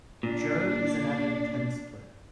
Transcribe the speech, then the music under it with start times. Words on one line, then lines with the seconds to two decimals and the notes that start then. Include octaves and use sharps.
Joe is an avid tennis player.
0.23 A#2 D4